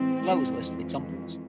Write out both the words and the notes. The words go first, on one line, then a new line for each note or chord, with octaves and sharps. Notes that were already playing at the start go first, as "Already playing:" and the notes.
Below is a list of examples.
Already playing: A2 E3 G#3 C4
F2 E3 G#3